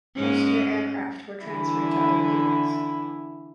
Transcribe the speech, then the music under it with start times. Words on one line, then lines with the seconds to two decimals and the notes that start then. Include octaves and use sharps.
Most of their aircraft were transferred to other units.
0.16 G#2 G#3 C#4
1.43 D3 E3 E4